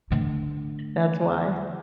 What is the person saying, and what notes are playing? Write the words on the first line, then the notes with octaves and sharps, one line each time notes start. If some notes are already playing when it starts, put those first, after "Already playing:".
That's why.
D3 A3